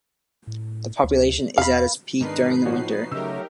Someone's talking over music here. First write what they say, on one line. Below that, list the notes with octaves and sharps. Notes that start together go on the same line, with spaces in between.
The population is at its peak during the winter.
A2
D2
E2 F5 B5
G#2 D#3 B3 D4 D#4 A#4 B4 C7
A2 F3 F#4 C#5
C#3 F#3 A3 D#4 G4 A#4 E6